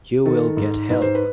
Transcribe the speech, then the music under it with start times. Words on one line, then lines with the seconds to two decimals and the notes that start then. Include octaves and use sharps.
You will get help.
0.25 D#3 A4
0.57 G#2
0.90 G#2 B4
1.02 C5
1.15 B4